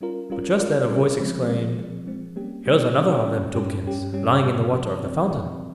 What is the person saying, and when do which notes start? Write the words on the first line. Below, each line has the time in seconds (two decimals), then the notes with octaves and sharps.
But just then a Voice exclaimed: "Here's another of them, Tubekins, lying in the water of the fountain."
0.01 G3 C#4 F4 A#4
0.30 G3 C#4 F4 A#4
0.60 G3 C#4 F4 A#4
0.89 G3 C#4 F4 A#4
1.18 F3 G#3 C4
1.48 F3 G#3 C4
1.77 F3 G#3 C4
2.07 F3 G#3 C4
2.36 G3 A#3 C#4 G4
2.66 G3 A#3 C#4 G4
2.95 G3 A#3 C#4 G4
3.25 G3 A#3 C#4 G4
3.55 G2 G3 C#4 G4
3.84 G2 G3 C#4 G4
4.13 G2 G3 C#4 G4
4.43 G2 G3 C#4 G4
4.72 C3 F3 C4 G4
5.01 C3 F3 C4 G4
5.31 C3 F3 C4 G4